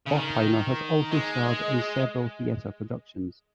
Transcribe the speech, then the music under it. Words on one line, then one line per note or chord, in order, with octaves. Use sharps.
Hofheimer has also starred in several theatre productions.
C#3
D#3
G#3